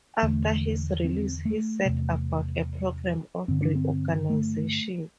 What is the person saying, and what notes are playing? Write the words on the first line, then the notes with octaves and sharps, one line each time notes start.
After his release, he set about a programme of reorganisation.
E2 D3 A3
C4
A3
E2 C3
G2 D3 C4
D4
C4
A3